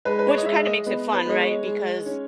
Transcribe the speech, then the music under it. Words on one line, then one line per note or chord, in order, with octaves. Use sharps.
Which kinda makes it fun, right? Because,
G#3 B4
B4
C#5
D#5
G#3 E5
D#5
B3
B4
G#3 D#5
C#5
G#3
C#4